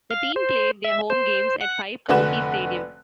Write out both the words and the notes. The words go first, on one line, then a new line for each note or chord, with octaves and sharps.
The team played their home games at Five County Stadium.
F5
C5
E5
C5
F#5
F1 D3 F#4 B4 F#6 E7